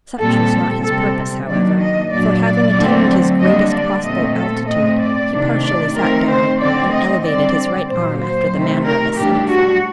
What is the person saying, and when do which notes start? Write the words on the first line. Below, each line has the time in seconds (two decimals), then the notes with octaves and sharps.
Such was not his purpose, however, for, having attained his greatest possible altitude, he partially sat down and elevated his right arm after the manner of a semaphore.
0.19 A#2 G3 C4 A4
0.84 C3 G3 C4 A4
1.48 D#3 F#3 A#3 D4 D5
1.80 D#5
2.12 A#2 F#3 A#3 D4 D5
2.44 D5
2.75 D3 F#3 A3 C4
3.40 D3 G3 A#3 D4 D#5
3.73 D5
4.04 A#2 A3 C4 D#5
4.36 A4
4.68 A2 A3 C4 D#5
5.00 D5
5.32 C3 D#3 A3 D4
5.65 D5
5.96 D#3 A3 C4 A#4
6.29 C5
6.60 D3 A3 C4 D5
6.92 D#5
7.24 D3 G3 C4 D5
7.89 A#2 F#3 A#3 C5
8.21 C5
8.53 C3 D#3 A3
8.85 A#4
9.17 A2 G3 D4 G4
9.49 F#4